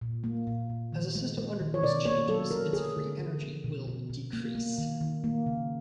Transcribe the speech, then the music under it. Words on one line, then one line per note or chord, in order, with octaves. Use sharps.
As a system undergoes changes, its free energy will decrease.
A#2
A#3
A#2
A#2
D#3
G#3
G#3
D#3
C#5
B2 D5
A#3 C#5
F#3 A4
F#3 A#4
D3 G#4
D3
D3
F3
B2
B2
B2
A#3
A#3
D#3
D#3
A#3
C#3